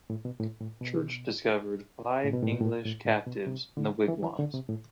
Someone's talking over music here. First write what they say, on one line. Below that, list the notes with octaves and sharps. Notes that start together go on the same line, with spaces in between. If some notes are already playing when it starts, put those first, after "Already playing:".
Church discovered five English captives in the wigwams.
A2
B2
A2
A2
B2
A2
B2
A2
B2
A2
A2
A2
B2
C3
D3
E3
E3
D3
C3
A2